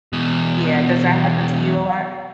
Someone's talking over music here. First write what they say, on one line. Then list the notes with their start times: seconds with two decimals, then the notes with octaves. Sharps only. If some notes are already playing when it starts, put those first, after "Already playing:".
yeah, does that happen to you a lot?
0.13 E2 B2